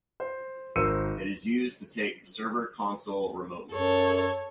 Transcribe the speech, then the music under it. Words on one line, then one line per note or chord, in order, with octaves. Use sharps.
It is used to take the server console remotely.
C5
G#1 A#4 C5 E6 C#7 D#7
F#2 A4 C#5